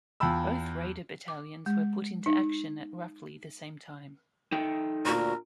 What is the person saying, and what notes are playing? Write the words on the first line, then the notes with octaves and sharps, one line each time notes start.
Both Raider battalions were put into action at roughly the same time.
E2 F4 G5 A5 B5 E6
D6
G#3
D#4
D#4 A4 G5
D2 A#2 F#4 A#4